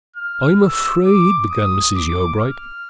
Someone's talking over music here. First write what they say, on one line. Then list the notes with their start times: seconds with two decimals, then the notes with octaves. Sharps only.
"I am afraid--" began Mrs. Yeobright.
0.16 F6
0.62 E6
1.06 D6
1.51 D#6
1.96 D6
2.41 F6